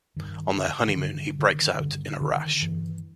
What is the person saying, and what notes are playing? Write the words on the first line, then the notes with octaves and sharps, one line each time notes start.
On their honeymoon, he breaks out in a rash.
G2 D#3
D3
D#3
G2 D3
D3 D#3
G2 D3
D3 D#3
G2 E3